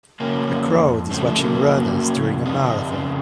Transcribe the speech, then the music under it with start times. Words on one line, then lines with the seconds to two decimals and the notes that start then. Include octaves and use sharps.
A crowd is watching runners during a marathon.
0.20 C#3 A#3 C#4
0.42 F2
0.65 F2
0.88 F2
1.10 C#3 A3 C4
1.25 F3 A3
1.33 C#3
1.40 F#3 A#3
1.56 F2
1.78 C#3
2.01 C#3
2.23 F2
2.45 C#3 C4 D#4
2.68 F2
2.91 C#3